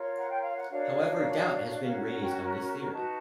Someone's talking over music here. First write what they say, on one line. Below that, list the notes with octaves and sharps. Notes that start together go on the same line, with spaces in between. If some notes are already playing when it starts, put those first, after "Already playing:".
However doubt has been raised on this theory.
Already playing: F4 A#4 C#5
F#5
G5
F5
F#5
D4 F#4 A#4 C#5 F5
C#4 F#4 A#4 F5
F#5
F#5
G5
A#5
D#4 F#4 B4 A5